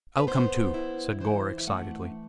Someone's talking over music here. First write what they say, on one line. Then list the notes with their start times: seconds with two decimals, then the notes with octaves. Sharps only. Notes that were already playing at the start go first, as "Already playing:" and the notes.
"I'll come too," said Gore, excitedly.
0.18 B4
0.27 B3 C5
0.74 E4
1.20 E3 C5
1.60 E5
1.67 A3 F#5